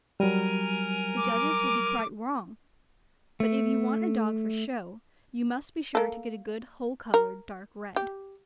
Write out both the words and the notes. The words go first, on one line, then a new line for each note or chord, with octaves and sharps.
The judges would be quite wrong, but if you want a dog for show you must be sure to get a good whole-coloured dark red.
F#3 G3 A#4 G#5 A#5
D6
A3
A#3 A4
A#4
G4